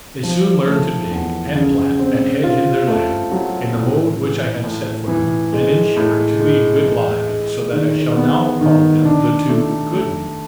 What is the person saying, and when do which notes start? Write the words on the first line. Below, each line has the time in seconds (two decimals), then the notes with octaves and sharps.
They soon learned to dig, and plant, and hedge in their land, in the mode which I had set for them, and in short, to lead good lives, so that I shall now call them the "two good men."
0.23 F3
0.67 A3
1.11 E2
1.55 C#3
1.99 C4
2.43 F4
2.87 A3
3.32 F#3
3.76 A2
4.20 E3
4.64 A2
5.08 E3
5.53 G#3
5.96 A2
6.40 G#3
6.84 E3
7.29 G#3
7.73 D#3
8.17 B3
8.61 D#3
9.05 D4
9.49 A3
9.93 A3